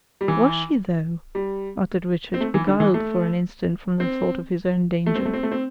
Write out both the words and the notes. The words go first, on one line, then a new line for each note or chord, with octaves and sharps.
"Was she, though?" uttered Richard, beguiled for an instant from the thought of his own danger.
G3
E3
G3
C4
A3
E3
D3
E3
A3
C4
A3
C4
A3
C4
A3
C4